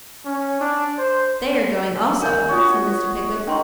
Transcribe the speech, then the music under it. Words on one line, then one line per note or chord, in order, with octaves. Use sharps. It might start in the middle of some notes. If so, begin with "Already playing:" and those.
'They are going also,' said Mr. Pickwick.
C#4
D4
C5
A#4 G#5 G6
D4 F4 F#4 C#5 D#6
D#3 D4 C6 C#6